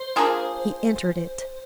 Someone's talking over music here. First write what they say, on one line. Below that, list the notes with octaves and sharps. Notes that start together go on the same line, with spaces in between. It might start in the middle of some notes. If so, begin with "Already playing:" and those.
He entered it.
Already playing: C5
A#3 D4 F4 G#4